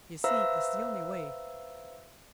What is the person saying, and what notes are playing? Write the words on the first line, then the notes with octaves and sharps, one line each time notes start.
You see it's the only way.
B4 C5 E5 F5 A#5 E6